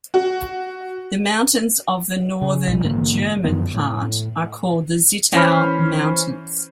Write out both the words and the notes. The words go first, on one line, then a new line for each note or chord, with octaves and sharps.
The mountains of the northern, German, part are called the Zittau Mountains.
F#4
C#3
A#1 B2 G3
G#2 D3 E3 A#3
F#2 D3 F3 B3
A2 A3
E3 C#4 C5 B5 F6